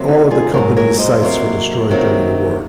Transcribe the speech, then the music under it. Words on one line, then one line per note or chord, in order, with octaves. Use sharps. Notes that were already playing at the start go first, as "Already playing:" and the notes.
All of the company's sites were destroyed during the war.
Already playing: C3 F#3 A#3
D#4 F#4
F4 G#4
G#2 F#3 A#3 F#4 A#4
A#4 C#5
C5 D#5
C3 F#3 A#3
C3 D#3 F#3 A#3